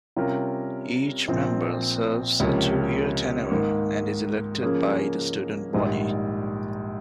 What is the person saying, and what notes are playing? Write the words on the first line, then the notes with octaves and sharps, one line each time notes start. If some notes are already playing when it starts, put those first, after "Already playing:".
Each member serves a two-year tenure and is elected by the student body.
C3 G3 C#4 F4 A#4
A#1 A#2 F3 C4
C#2 C3 F3 A#3 C#4
G#2 D#3 A#3
C#3 F3 A#3 C#4 G#4
A#1 G#2 D#3 G3